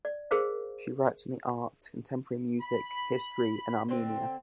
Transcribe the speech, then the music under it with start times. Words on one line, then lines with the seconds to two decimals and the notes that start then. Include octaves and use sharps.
She writes on the arts, contemporary music, history and Armenia.
0.05 D5
0.31 G#4 A#4 C5 F5
2.61 B5
3.89 D3 C4